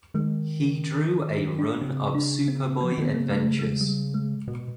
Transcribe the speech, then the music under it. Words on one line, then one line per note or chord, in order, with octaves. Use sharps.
He drew a run of Superboy adventures.
D#3 G#3
D#4
D4
C#3 C4
D4
C4
F3 B3
E3 C4
D#3
B3
D3
C#3 A#3
G#3
A3
G#3
G3
G#3
B2